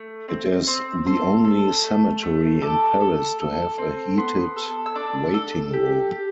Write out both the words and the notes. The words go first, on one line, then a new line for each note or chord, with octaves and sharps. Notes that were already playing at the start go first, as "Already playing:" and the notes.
It is the only cemetery in Paris to have a heated waiting-room.
Already playing: A3
C4
C4
A4 C6
A4
A3
A3
A4 D6
A4
A4
C4
B3 C6
A4
E6
D4 D6
A4
G4
G4